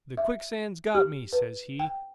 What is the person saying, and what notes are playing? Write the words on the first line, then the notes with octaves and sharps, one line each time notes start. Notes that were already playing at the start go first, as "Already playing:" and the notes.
The quicksand's got me,' sez he.
E5
G4
B4
G5